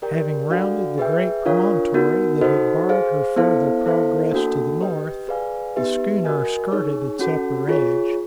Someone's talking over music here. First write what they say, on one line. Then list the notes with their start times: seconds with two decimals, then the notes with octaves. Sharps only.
Having rounded the great promontory that had barred her farther progress to the north, the schooner skirted its upper edge.
0.02 G4 A#4 D5 G5
0.50 D4 F#4 A4 D5 F5
0.98 G#4 B4 E5 G5
1.45 D4 F4 A#4 C#5 F5
1.94 B3 D#4 F#4 A#4
2.41 D#4 F#4 A4 C5 D#5
2.89 G#4 C5 F5
3.36 B3 E4 A4 C5 F5
3.84 B3 E4 A4 C5 F5
4.32 A#3 D4 F#4 A4
4.81 G4 B4 D#5 G5
5.28 G#4 B4 D5 F5 G#5
5.76 B3 D#4 G4 B4 E5
6.24 F#4 A#4 D#5 G#5
6.72 D#4 G#4 C#5
7.19 C#4 F#4 A4
7.67 F4 G#4 C#5